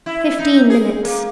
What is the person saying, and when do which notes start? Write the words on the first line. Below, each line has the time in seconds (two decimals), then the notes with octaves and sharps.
Fifteen minutes.
0.06 E4
0.39 D#4
0.70 G#4
1.05 A#3